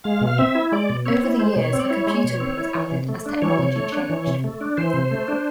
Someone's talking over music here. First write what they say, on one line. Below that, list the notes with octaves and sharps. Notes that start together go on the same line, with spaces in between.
Over the years, a computer room was added as technology changed.
G#3 F5
B2
F5
C4 E5
E4
G#3 D5
B2
C4 C#5
E4
G#3 C5
B2
C#5
C4
D5
C#5
E4
G#3
B2
C4
E4
E3
C3
A3
D4
E3 C#5
C3
A3
D4
E3
C3
A3
D4
E3 C5
C3
A3
D4